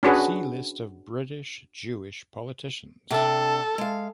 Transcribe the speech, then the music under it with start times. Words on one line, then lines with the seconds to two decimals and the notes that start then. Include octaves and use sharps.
"See List of British Jewish politicians".
0.03 C#4 D4 F#4 G#4 B4
3.10 C3 D4 A4
3.78 G#3 F5